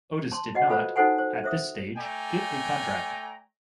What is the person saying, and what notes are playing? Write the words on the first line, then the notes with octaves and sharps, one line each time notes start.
Otis did not, at this stage, get a contract.
A5 C6
F#4 D#5 F#5
F4 A4 B4 C5 F5
D#4 F#4 A4 C5 F#5 G#5
C5
C5 E5 D#6
A3 D5 G5 G#5 A#5